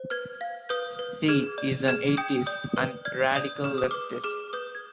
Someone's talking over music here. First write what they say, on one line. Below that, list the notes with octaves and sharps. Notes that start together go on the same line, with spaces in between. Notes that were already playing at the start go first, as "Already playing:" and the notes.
She is an atheist and radical leftist.
Already playing: C5
B4 F6 G#6
F5
B4 D#6 G6
B4
G#4 F6 G#6
D5
G#4 F6 G#6
G5 D#6 G6
D5 D#6 G6
B4
D5 F6 G#6
D5 D#6 G6
G#4 F6
D#6
B4 D6 F6
G#4 D6 F6
B4 D#6 G6
G#6